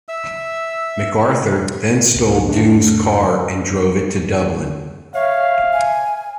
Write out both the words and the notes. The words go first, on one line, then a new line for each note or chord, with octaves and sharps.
MacArthur then stole Dunne's car and drove it to Dublin.
E5 E6
C#2 C3
F2 D3 A3 D4
C#5 E5 F5
G#5